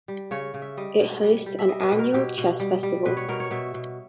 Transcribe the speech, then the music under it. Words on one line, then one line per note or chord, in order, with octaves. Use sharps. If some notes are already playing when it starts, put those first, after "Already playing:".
It hosts an annual chess festival.
G3
C#3 C#5
C#3
E5
G3 D#5
B2
G3
G3
E5
G3 D#5
B4
B2
A#4
B2 G4
B2
G3
G3
B2 B4
C#5
B2 A#4
C#5
B2 E5
B2